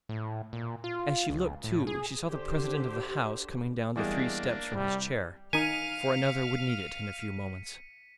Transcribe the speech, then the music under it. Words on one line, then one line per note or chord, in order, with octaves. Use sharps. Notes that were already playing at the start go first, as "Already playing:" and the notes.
As she looked, too, she saw the President of the House coming down the three steps from his chair, for Another would need it in a few moments.
A2
A#2
F4
C#2
A2
G#4
D3 G4 C5
E2 G3 G#3 A#3 D4
C2 G3
D#3 D#4 F5 G#5 F6 B6 C#7 D#7